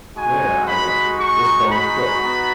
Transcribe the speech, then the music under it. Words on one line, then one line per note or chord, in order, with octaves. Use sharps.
Where, I wondered, was Bone Cliff?
G#3 D#4 F#4 G#5
B5
C#6
B5
B3 D#4 F#4